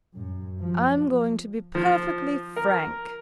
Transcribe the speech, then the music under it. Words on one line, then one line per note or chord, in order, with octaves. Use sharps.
'I'm going to be perfectly frank.
F#2
F3
F3
A#4